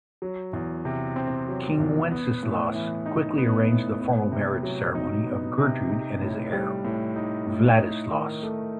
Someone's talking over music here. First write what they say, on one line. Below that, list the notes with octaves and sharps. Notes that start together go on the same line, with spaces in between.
King Wenceslaus quickly arranged the formal marriage ceremony of Gertrude and his heir, Vladislaus.
F#3
E2
C3
C4
F#3
E2
B3
A2
E3
D#4
B3
A2
B3
C3
F#3
D#4
B3
C3
D#4
A2
G3
A2
D#4
A2
D#4
D#3
A3